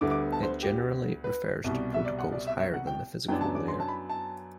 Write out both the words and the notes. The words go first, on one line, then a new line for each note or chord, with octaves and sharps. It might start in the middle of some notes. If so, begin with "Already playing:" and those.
It generally refers to protocols higher than the physical layer.
D2 D3 G3 B3 D6
D6
A5
C5
G4
B4
C2 B2 G3
E5
D5
F#5
D5
E5
E5
F#5
G5
F#2 F#3 B3 D4 G5
A5
D6
C6
A5
B5
A5